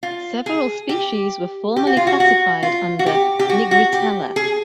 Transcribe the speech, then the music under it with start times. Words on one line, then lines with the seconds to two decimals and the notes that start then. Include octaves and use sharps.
Several species were formerly classified under "Nigritella".
0.03 F4
0.46 G#4
0.89 G4
1.76 G4
1.87 F#4
1.97 F4
2.07 F#4
2.20 F#4
2.63 F4
2.99 F#4
3.06 G4
3.39 G4
3.49 F#4
3.71 F#4
3.93 G4
4.36 G#4